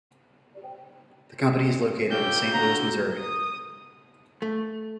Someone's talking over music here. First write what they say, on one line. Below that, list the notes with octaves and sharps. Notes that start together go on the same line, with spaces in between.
The company is located in Saint Louis, Missouri.
C#4 F4 G4 G6
D3 F#4 A#5
D#6
A3